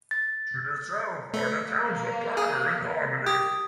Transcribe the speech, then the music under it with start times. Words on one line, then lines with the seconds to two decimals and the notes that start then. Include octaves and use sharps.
To the south are the towns of Clymer and Harmony.
0.11 A6
1.33 A3
1.66 A#3
2.37 G#4
3.26 G4 D#6